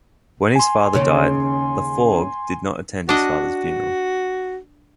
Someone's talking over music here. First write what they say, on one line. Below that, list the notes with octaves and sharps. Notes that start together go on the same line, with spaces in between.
When his father died, Laforgue did not attend his father's funeral.
G#5 C6
D#2 C#3 C#4
D4 F#4 D#5